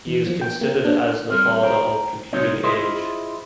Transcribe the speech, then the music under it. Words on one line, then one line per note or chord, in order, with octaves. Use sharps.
He is considered as the 'father of computing age'.
E3
F3
G5
A#3
D4
G3 C4 A#4
C5 G5 A#5
C2 G3 C4 D#4 C#5
E4 F4 G#4 C5 D#5 E5